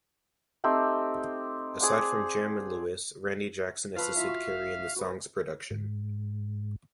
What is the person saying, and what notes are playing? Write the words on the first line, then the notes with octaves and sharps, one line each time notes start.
Aside from Jam and Lewis, Randy Jackson assisted Carey in the song's production.
A3 C4 D#4 G4
G#4 C5 D5 F#5
F3 B4 F5 C#6 E6
E4 F4 E5
F#4
F#4 B4
G#2